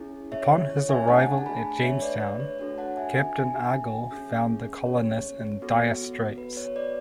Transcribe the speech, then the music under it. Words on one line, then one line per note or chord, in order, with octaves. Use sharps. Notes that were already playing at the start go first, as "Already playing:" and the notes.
Upon his arrival at Jamestown, Captain Argall found the colonists in dire straits.
Already playing: C#4 E4 G#4
C#5 E5
C#5
E5 G#5
A3 D4 G#4 F#5 A5
A5
G#5 B5
C#5 E5
B4 D5
B4
C#5
D4 F#4 A4 C#5
F#5 A5
E5 G#5
E5 G#5
E5 G#5
C#4 G#4
C#5
B3 F#4 A4
B4
C#5
B4 D5